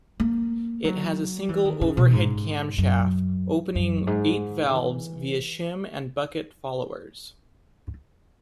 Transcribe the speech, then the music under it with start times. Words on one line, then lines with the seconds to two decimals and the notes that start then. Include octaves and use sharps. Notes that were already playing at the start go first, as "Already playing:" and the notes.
It has a single overhead camshaft opening eight valves via shim-and-bucket followers.
0.20 A#3
0.84 F#3
1.49 E3
1.65 D#3
1.81 C#3
1.97 B2
2.13 G#2
2.78 F#2
3.75 F#2
4.07 G#2
4.72 E3